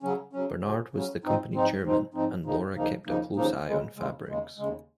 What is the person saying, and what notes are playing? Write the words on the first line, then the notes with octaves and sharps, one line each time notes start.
Bernard was the company chairman and Laura kept a close eye on fabrics.
C#3 F#3 C#4
C#3 F#3 C#4
C#3 F#3 C#4
C#3 F#3 C#4
G#2 F3 C4 D#4
G#2 F3 C4 D#4
G#2 F3 C4 D#4
G#2 F3 C4 D#4
D#2 C#3 F3 A#3 D#4
D#2 C#3 F3 A#3 D#4
D#2 C#3 F3 A#3 D#4
D#2 C#3 F3 A#3 D#4
D#2 C#3 G#3
D#2 C#3 G#3
D#2 C#3 G#3
D#2 C#3 G#3